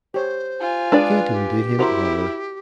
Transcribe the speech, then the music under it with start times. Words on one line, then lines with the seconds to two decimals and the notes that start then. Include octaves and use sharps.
Canton did him honor.
0.14 G4 C5 C#5
0.60 F4 G#5
0.92 G#3 D4 G#4 B4 D5
1.31 G4
1.79 E4 F#4 A#4 C5